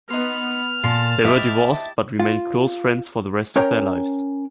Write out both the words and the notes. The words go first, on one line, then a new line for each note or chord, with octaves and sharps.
They were divorced but remained close friends for the rest of their lives.
B3 D#4 C6 F6
A#2 A5 C6
E4 G4 D#5 E5
F4
C#4 A#4 C#5 G5 A#5